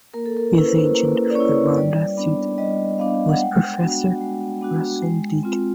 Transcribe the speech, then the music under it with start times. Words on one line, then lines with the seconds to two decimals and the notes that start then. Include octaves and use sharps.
His agent for the Rhondda seat was Professor Russell Deacon.
0.14 A#3 A#4
0.26 A4
0.37 A#4
0.54 C#4 E4 B4
0.67 C5
0.80 B4
0.95 A#3
1.30 D5
1.35 C#4 E4 C#5
1.76 G3 D5
2.17 B3 D4
2.58 G3 D#5
2.98 B3 D4 F5
3.29 F#5
3.39 G#3 G5
3.80 B3 D4 F#4
4.21 G#3
4.61 B3 D4 F#4
5.02 G#3
5.43 C4 F4